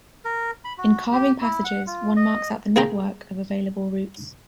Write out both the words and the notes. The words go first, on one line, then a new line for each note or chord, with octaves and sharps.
In "carving passages", one marks out the network of available routes.
A#4
B5
F#4
G4
E4
F#5
F4
D#5
A#3 G#4 G5 A#5